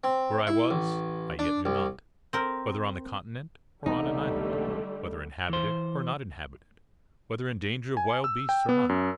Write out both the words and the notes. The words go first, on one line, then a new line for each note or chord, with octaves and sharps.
Where I was, I yet knew not; whether on the continent or on an island; whether inhabited or not inhabited; whether in danger of wild beasts or not.
C4
E4
A1
D4
C2
C4 A#4
E1 C2 D3 G3 A3 B3 D#4
E3 C5
G#5
E6
G5
B3
F#2